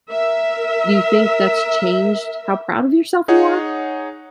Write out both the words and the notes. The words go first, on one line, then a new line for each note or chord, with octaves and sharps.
do you think that's changed how proud of yourself you are?
A#4 E5
D#4 G#4 C#5 F#5